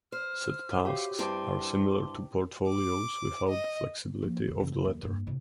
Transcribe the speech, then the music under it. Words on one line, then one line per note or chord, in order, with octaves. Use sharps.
Set tasks are similar to portfolios without the flexibility of the latter.
C5 F6
F#4 G4 C#5 F5
G2 C4 E4 A5 C6 D6
D6
D#5
F3 A#3
F2 F4
C#3 E3
D#2 F#3
G2 A#3
A2 C3